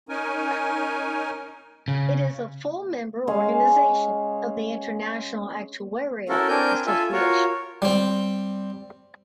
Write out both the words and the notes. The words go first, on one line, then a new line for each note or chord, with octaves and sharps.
It is a full member organization of the International Actuarial Association.
C#4 D#4 A#4 G#5
C#3
G#3 C#4 G#4 F5
C#4 E4 F#4 A4 A#4
C4 D4 A#4 G#5 G6
F4 A4 E5 G#5
F4 F#4 A#4 C#5
G3 C4